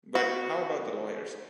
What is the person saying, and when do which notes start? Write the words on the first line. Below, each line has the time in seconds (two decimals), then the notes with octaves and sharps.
But how about the lawyers?
0.15 F#4